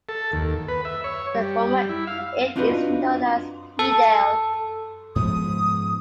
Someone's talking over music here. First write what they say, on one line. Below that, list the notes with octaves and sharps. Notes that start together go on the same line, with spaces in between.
The former Ede is known as Ede-Ile.
A4
D#2
B4
E5
C#5
G3
E4
F5
C4 D4 D#4 F4 F#4 B4
A4
G#2 F3 B3 D#6